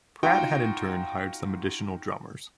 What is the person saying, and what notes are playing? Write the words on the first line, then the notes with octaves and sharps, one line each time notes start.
Pratt had in turn hired some additional drummers.
D#4 F4 F#4 G5